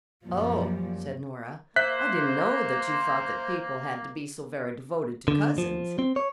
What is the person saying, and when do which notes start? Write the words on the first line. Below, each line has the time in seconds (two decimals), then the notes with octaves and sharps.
"Oh," said Nora, "I didn't know that you thought that people had to be so very devoted to cousins."
0.24 F#2 A#2 F3 G3
1.76 A#3 C5 E5 F#6 B6
5.28 D3
5.58 F3
5.99 C4
6.16 C#5